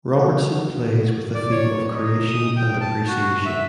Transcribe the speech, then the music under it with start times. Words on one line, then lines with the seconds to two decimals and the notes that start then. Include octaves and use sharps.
Robertson plays with the theme of creation and appreciation.
0.19 F#4
1.34 D5
1.51 C#5
1.94 D#4
2.27 D#6
2.56 G5
2.81 A5
3.08 F#4
3.46 E5